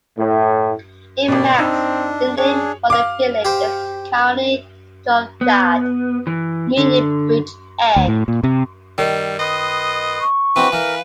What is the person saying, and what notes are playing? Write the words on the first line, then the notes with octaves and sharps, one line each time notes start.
In Manx the name for the village is "Kione Droghad" meaning "bridge end".
A2
G#1 B2 G4 D5
C4 D4 D#4 E6
D4 G#4 C#5
F5 D6
G4 C5
B3
E3
D3
D2
A2
A#2
C3
D#3 G3
B4 D#5 C6 D#6
C#6
E3 C4 D4 F#4 B4 B5
E3 A#4 F5